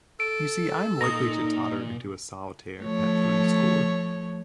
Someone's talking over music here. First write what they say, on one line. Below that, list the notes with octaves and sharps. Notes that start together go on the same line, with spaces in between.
You see I am likely to totter into a solitaire at three-score.
A4 D7
A#2 D#4 D#6 A#6
F3 A3 C#5